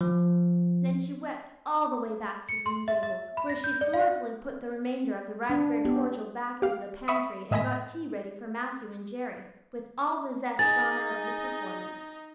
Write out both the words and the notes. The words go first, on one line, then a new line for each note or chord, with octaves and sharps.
Then she wept all the way back to Green Gables, where she sorrowfully put the remainder of the raspberry cordial back into the pantry and got tea ready for Matthew and Jerry, with all the zest gone out of the performance.
F3
C#7
C6
E5
E5
B5
A#6
G6
D5
F5
D4
B3 G4
G4 F5
E5 B5 C#6 D#6
A2 D#5 E5 G#5 B5 A#6
D#4 G#4 D#5 A6